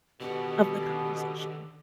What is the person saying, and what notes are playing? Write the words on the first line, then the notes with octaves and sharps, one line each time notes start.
of the conversation.
B2 D3 D#3 G4 F#5